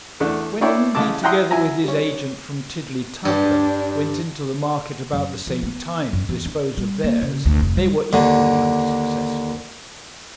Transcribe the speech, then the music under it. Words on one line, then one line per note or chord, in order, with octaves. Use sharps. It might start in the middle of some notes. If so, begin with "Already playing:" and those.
When Undy, together with his agent from Tillietudlem, went into the market about the same time to dispose of theirs, they were equally unsuccessful.
E2 A3 D4 F#5
A#3 D4 E4 C#5 D5 G5
A1 C#3 G#3 A5 D6
E4 F#5 G5 A#5 C6 D#6
F#3 E4 G#5 A#5
G3 C#4
G2 D4 G4
F#2
F3
B3
F#2
E2
D4
G3
A#3
C#3
D2
F1
G3
D#2 D3